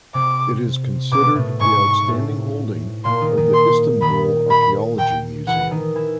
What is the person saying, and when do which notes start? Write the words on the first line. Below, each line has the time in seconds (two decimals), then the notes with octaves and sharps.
It is considered the outstanding holding of the Istanbul Archaeology Museum.
0.14 C3 C4 D6
1.12 B2 B3 D6
1.35 A2 A3
1.60 G#2 G#3 C#6
2.08 A2 A3
3.05 A#2 A#3 C6
3.21 D#3 D#4
3.37 D#3 D#4
3.54 C6
4.01 D#3 D#4 B5
4.50 B5
4.99 G5
5.47 E3 E4 F#5
5.71 D#3 D#4
5.95 E3 E4